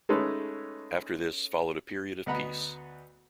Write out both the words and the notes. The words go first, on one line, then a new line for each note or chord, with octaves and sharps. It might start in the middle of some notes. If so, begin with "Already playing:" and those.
After this followed a period of peace.
G#3 A3 C#4 D#4 A4 B4
D2 B3 D#5 F#5 A#5 B5